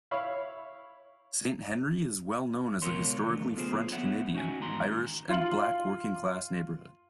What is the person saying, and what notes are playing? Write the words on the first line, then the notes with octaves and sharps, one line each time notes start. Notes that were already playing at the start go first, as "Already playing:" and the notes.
Saint-Henri is well known as a historically French-Canadian, Irish and black working class neighbourhood.
E4 C#5 F5 B5
C#2 B2 D#3 A#4 C#5 C6
D3 F3 A3
B3 F4 G#4 C5
F2 B3 C#5 E5 F#5
C#4 D#4 F#4 G#5
E2 G#2 D#3 A#5 C6
F4 C6 F#7